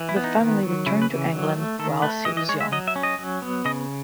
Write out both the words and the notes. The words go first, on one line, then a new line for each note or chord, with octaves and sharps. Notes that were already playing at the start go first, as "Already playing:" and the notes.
The family returned to England whilst he was young.
Already playing: E3
E4
B3
D#4
D#3
F#3
C#3 E4
B4
E3
F#3
A3
D#3 A4
A3 B4
E3 D#5
D#5
G#3 C#5
E5
F#3 D#5
E5
C#4
D#5
F#3
B3
C#3 D#5